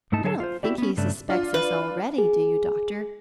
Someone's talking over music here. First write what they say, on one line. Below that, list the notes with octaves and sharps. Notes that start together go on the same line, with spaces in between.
"You don't think he suspects us already, do you, doctor?"
G#2 A3 D#4 A5
D3 F#3 G#4 C#5 E5 A5
F4 C5
E4 F#4 G4 D5
B3 C#4
G2 C#3 A3 D4
D4 F4
B4
G#4